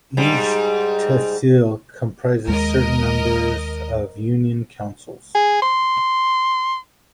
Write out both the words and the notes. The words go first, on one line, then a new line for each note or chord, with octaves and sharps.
Each Tehsil comprises certain numbers of union councils.
G#2 G3
D#2 G#3 A#4 D#5
G#4
C6